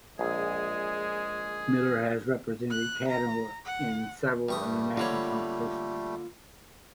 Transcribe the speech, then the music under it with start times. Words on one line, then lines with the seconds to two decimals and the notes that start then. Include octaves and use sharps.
Miller has represented Canada in several international competitions.
0.19 A#1 G#3 G#4
2.70 F#6
3.08 A#5
3.65 F#5
4.49 G2 G3 A3 C#6 D#6
4.97 D3 A#3 F4 C#5 B5